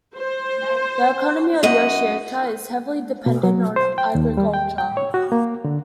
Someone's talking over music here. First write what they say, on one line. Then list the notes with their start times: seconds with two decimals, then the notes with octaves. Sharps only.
The economy of Yoshioka is heavily dependent on agriculture.
0.17 C5
1.63 F#2 D#5 F#5
3.26 B2
3.43 F#3
3.76 C5
3.98 G5
4.15 D#2
4.37 G3
4.54 G5
4.78 G5
4.97 C#5
5.14 F#4
5.32 A#3
5.64 D3